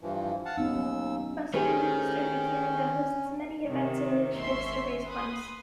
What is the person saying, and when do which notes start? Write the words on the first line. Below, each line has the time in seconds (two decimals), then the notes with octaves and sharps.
Muscular Dystrophy Canada hosts many events and initiatives to raise funds.
0.01 G2 E3 F3
0.45 F5 F#5 A5
0.58 D#2 B3 C#4 D#4 E6
0.75 F#3
1.54 D#3 A3 C#4 G4 G#4 B4 C5
3.66 C3 D#3
4.36 G#1 D#2 C#4 E5 C6
5.05 B4 C6 D#6